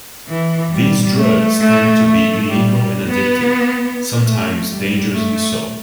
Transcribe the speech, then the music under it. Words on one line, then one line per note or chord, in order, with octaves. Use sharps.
These drugs tend to be illegal and addictive, sometimes dangerously so.
E3
G3
A3
A3
A3
G3
G3
B3
A3
G3
A3